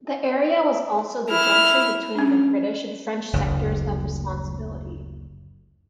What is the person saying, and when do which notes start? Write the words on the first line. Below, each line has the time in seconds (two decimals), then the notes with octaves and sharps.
The area was also the junction between the British and French sectors of responsibility.
1.29 E4 F6
2.15 C#4 D4
3.33 F#1 D2